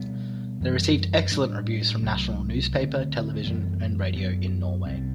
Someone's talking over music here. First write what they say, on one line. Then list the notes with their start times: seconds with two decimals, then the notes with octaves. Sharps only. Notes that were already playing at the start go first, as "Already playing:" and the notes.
They received excellent reviews from national newspapers television and radio in Norway.
Already playing: B2 G3 B3
0.61 F#2 E3 G3
1.32 A2 G3 D4
2.03 C2 C3 F#3 A3
2.73 D2 D3 A3 C4
3.44 F#2 E3 G3 B3
4.15 F#2 F#3 B3
4.86 C2 C3 G3 C4